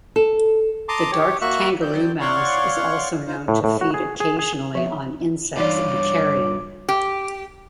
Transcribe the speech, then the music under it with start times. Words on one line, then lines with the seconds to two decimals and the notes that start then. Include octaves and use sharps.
The dark kangaroo mouse is also known to feed occasionally on insects and carrion.
0.16 A4
0.89 A5 A#5 C6 D6 D#6
1.12 G4 C#5
1.41 A#3 F#4 E5 C#6 F#6
1.82 F#3 C4 D5 G6
2.20 C#5 D5 F5 F#5 C6 C#6
3.27 D#4 F4 C5
3.48 A2
3.64 A2
3.81 F#4
3.94 G#4
4.20 G#4
4.39 G#4
4.75 F3 E5
5.57 G2 E3 D#4 F4 C#5 D5 D6
6.89 G4